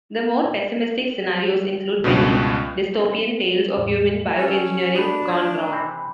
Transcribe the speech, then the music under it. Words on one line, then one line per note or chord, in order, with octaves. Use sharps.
The more pessimistic scenarios include many dystopian tales of human bioengineering gone wrong.
C#2 G2 B2
E2 A2
F#3 C#4 A4 G#5
B3 D4 D#4 F#4 B5
A3 D#4 F5 G#6
C3 E3 C4 B5